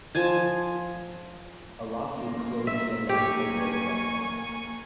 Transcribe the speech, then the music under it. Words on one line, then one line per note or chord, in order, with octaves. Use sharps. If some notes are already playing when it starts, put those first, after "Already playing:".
A lawsuit closed the Atlanta Playboy Club.
F3 G#5 A5
A#3
E5
A#3 G4 G#5 C#6